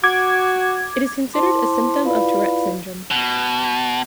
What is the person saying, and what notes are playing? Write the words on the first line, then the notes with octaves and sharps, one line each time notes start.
It is considered a symptom of Tourette syndrome.
F#4 D6 G#6
E4 C5 A5 C6 D6
E4 F4 B4 D5 F5 B5
B2